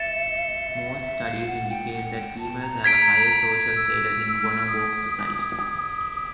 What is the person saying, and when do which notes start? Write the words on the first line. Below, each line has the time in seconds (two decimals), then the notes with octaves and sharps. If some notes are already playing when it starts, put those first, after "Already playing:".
Most studies indicate that females have a higher social status in bonobo society.
Already playing: E5 A6 C#7 E7 G7
1.01 E5
1.24 F5
1.47 F#5
1.70 G5
1.93 F#5
2.16 G5
2.38 A5
2.61 A#5
2.84 G#6 B6 D7
3.76 E6
4.67 D#6